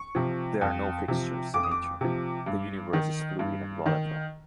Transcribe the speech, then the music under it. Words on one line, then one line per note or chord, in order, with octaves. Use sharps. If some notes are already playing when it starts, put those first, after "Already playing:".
There are no fixtures in nature. The universe is fluid and volatile.
Already playing: C#6
C3 F3
F2
C3 F3
F2 D6
D#6
D6
C3 F3
G2
D#3
G2
D#3